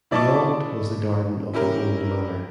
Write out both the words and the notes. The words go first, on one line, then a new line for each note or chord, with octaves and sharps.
Beyond was the garden of an old manor.
E4 D5 D#5 A5 C#6 D6
C#4 E4 G4 A#4